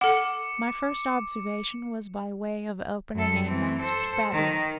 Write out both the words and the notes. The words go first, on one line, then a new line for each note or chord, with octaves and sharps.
My first observation was by way of opening a masked battery.
A4 F#5 D6 C#7
F#2 A4
E3 C4
A4 C5
D#3